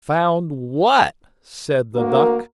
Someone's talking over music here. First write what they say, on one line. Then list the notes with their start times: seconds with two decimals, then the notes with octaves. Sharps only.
'Found WHAT?' said the Duck.
1.94 D2 A#3 F#4 A#4